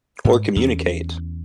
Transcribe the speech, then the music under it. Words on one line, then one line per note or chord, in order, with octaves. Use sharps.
Or communicate.
G#2
E2 C#4